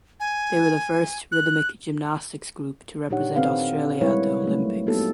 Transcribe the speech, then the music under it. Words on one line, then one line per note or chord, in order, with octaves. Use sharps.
They were the first rhythmic gymnastics group to represent Australia at the Olympics.
G#5
F#6
A#2 D4 D#4 G4 C#5 F#5
D#3 C4 A4 B4 F5
G3 G#3 E4 A#4 B4 C#5
F#3 A3
A#3 B3 D#4 F#4 G4 A4